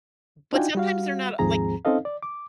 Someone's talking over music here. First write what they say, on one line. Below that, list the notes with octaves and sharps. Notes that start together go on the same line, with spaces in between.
But sometimes they're not, uh, like
D4 D#4 F4 F#4 G5 G#5
G3 F#4 F5
D#2 G#2 F3 C4 G#4 A#5
C4 C#4 D#4 A4 D#5 F5
D5
D6